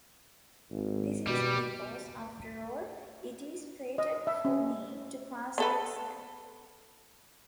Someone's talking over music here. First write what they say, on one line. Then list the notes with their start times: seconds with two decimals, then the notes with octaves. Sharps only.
This is because, after all, it is fated for me to pass the exam.
0.71 G#1
1.27 B2 G3
3.98 D#5
4.27 E5
4.45 C#4
5.58 B3 A4 B4